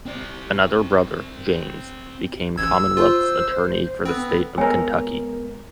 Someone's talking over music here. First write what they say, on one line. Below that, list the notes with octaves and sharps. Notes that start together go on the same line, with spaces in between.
Another brother, James, became Commonwealth's Attorney for the state of Kentucky.
C4 D5
A1 E6 G#6
F4 C5
B3 C4 A4 B4
G#3 B3 A#4 C#5 G#5 E6